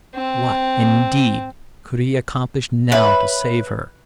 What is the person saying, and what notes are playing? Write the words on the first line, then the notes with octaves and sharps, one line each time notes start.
What, indeed, could he accomplish now to save her?
C4
B4 C#5 E5